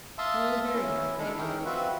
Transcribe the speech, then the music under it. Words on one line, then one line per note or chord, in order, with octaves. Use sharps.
We were very happy at Enderley.
E5 F5 A5 C6 D#6 E6
C#4 E4
G#3 D4 E4 A4
C#4 D#4 G#4 A#4 C#5 G5
C4 F4 F#4 B4 E5 F#5